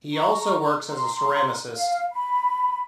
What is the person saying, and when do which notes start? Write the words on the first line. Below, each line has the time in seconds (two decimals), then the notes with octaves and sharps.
He also works as a ceramicist.
0.13 A#5 C#6
0.88 A#5 C6
1.75 F5
2.12 B5